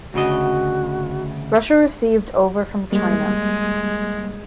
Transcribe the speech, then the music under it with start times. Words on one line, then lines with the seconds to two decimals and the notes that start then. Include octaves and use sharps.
Russia received over from China.
0.14 D2 C#3 F#4 D#5
2.92 G3 G#3 A#3